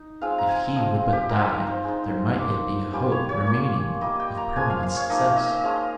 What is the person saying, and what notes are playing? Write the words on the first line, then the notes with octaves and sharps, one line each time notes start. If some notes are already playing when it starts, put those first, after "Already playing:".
If he would but die, there might yet be a hope remaining of permanent success!
Already playing: D#4
G#3 C4 F4 F5
A#5
G#5
G#5
F3 C4 F4 D#5
F4
G4
G#3 C4 D#4 A#4
C5
C5
G#3 D#4
A#3 D#4
G3 C#4 F4 G4
C#5
C#5
A#3 F4
G3 A#3 F4 D#5
G5
A#5
F3 G#3 C#4 G#5
F5
F5
C#5
F3 A#3 D#4 D#5
F5
D#5
D#5
F3 G#3 C#4 F4 F5